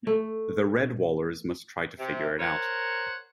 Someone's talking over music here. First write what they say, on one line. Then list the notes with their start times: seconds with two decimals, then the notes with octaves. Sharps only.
The Redwallers must try to figure it out...
0.07 A3
1.98 C3
2.39 A#4 C5 C#5 F#5